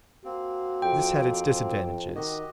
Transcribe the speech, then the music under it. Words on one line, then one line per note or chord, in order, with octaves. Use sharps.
This had its disadvantages.
A#3 C4 F#4
F2 G5
D#3 F#4 G4 D#5